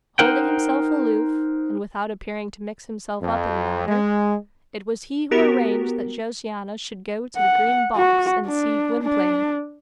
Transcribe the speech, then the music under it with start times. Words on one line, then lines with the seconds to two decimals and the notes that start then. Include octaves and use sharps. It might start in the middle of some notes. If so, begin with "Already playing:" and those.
Holding himself aloof, and without appearing to mix himself up in the matter, it was he who arranged that Josiana should go to the Green Box and see Gwynplaine.
0.19 D#4 A#4 C5 F#5 G5
3.22 F2
3.87 G#3
5.31 B3 F#4 G4 A#4
7.37 F#5
7.96 F#4
8.47 D4
9.03 D4